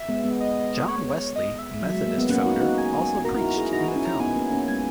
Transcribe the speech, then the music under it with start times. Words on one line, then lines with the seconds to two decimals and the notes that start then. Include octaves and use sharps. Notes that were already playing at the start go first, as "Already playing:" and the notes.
John Wesley, Methodist founder, also preached in the town.
Already playing: E5
0.09 G#3 B3
0.24 G#3 B3
0.40 D#5
0.88 C#5
1.36 D#5
1.59 E5
1.82 F#3
1.94 G#3
2.06 A#3
2.18 B3
2.29 A#3 C#4 F#5
2.46 D#4 F#4
2.61 D#4 F#4
2.78 G#5
3.24 F#4 A#4 A#5
3.35 E4
3.40 D#4 F#4
3.57 E4 G#4
3.72 D#4 F#4 A#5
3.88 G#5
3.96 C#4 E4
4.05 A#5
4.20 B3 D#4 G#5
4.36 A#3 C#4
4.52 A#3 C#4
4.68 G#3 B3 G#5